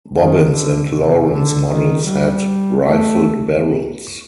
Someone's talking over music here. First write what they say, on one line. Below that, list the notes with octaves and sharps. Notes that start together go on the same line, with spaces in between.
Bobbins and Lawrence models had rifled barrels.
D#3
D3
C3
D3
D#3
G3
A3